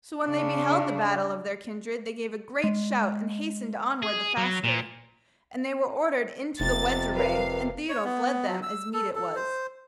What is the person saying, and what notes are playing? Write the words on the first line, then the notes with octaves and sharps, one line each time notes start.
So when they beheld the battle of their kindred they gave a great shout and hastened onward the faster; and they were ordered into the wedge-array and Thiodolf led them, as meet it was.
C#3 D4
G#3
G#4
F#3
A#2
F1 F2 C3 A6
A#4 B4 F5
C#5
B3
F#3
E6
A4
A4
C5